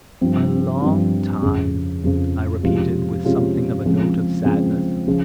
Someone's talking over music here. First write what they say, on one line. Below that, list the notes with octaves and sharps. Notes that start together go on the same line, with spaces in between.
"A long time," I repeated with something of a note of sadness.
G2 F3 C4
G2 F3 C4
F2 C#3 F3
F2 C#3 F3
C3 F3 G#3 C#4 F4
C3 F3 G#3 C#4 F4
C#3 F3 G#3 C4
C#3 F3 G#3 C4
C#3 F3